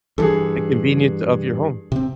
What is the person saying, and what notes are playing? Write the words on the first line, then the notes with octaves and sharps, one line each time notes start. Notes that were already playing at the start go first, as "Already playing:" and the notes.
The convenience of your home.
G2 E3 G#4 A4
C3 C4